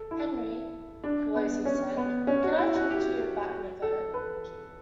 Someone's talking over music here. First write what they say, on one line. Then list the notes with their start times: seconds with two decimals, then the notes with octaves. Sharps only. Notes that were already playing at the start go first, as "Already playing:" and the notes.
'Henry,' Pelosi said, 'can I talk to you about your vote?
Already playing: A4
0.11 E4
1.04 D4
1.35 B3
1.65 C#4
1.97 B3
2.27 C#4
2.43 F#4
2.58 E4
2.75 F#4
2.90 G4
3.82 A4
4.14 B4